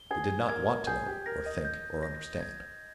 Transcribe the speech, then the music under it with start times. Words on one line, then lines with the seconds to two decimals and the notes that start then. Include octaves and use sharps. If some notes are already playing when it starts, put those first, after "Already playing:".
They did not want to know, or think, or understand.
Already playing: G7
0.11 G#4 G#6
0.49 A#4 G#6
0.87 G#4 G6
1.07 G4
1.26 A#4 A#6
1.45 D#5
1.65 G6
2.03 A#6
2.41 G#6